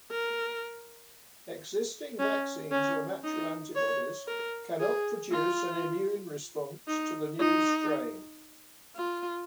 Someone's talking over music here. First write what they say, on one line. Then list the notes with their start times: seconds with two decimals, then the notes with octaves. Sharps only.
Existing vaccines or natural antibodies cannot produce an immune response to the new strain.
0.11 A#4
2.19 C#4
2.72 C#4
3.23 D#4
3.75 C#5
4.28 A#4
4.79 G#4
5.32 F4
6.87 D#4
7.39 D#4
8.96 F4